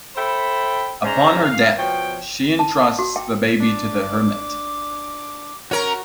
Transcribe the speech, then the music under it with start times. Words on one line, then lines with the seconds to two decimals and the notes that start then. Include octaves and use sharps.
Upon her death, she entrusts the baby to the hermit.
0.16 A4 C5 E5 G5 B5
1.04 G#2 C#4 C5 D5 G#5 A#5
1.46 F5
1.79 B2 F3 C#5 G5
2.59 A5
2.99 F#4
3.16 G5
3.60 D4 D6
5.71 C#4 F#4 A#4 C#6